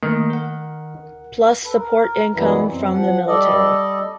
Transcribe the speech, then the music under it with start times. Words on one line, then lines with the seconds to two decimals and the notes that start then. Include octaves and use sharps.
Plus support income from the military.
0.03 D#3 A3 A#3
0.30 A#4 F#5
1.64 A4 B4
1.77 A#4
2.34 F#2 B2 E3 F#3 G3 E4
2.68 F#2 C4
2.93 F3 F#5
3.27 G3 A4 D5 D#5